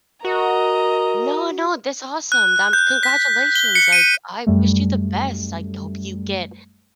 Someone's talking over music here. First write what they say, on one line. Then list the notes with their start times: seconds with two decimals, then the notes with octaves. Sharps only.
No, no, that's awesome. Dam congratulations, like, I wish you the best, I hope you get
0.25 F#4 A#4 D#5 A#5
2.32 F#6
2.73 G6
3.03 B6
3.55 G7
3.75 C#7
3.92 D#7
4.47 F#2 G3 A3